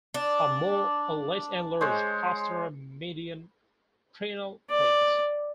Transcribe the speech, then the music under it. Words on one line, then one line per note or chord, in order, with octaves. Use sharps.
A more or less enlarged postero-median preanal plate.
D4
G#3 C5 C#5
D5